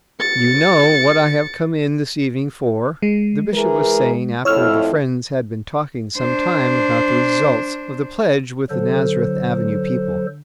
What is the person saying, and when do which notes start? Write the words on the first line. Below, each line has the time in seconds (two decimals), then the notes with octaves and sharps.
"You know what I have come in this evening for?" the Bishop was saying after the friends had been talking some time about the results of the pledge with the Nazareth Avenue people.
0.20 A6 C#7
3.02 G#3
3.54 E3 G#4 A#4
4.45 F2 A2 E4 C#5 E6 F6
6.18 D4 C5
8.70 D3 F#3 A4 C5